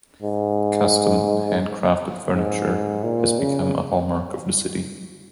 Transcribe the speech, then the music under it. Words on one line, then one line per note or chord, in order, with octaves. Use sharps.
Custom hand-crafted furniture has become a hallmark of the city.
G#2
G#2
A#2
C#3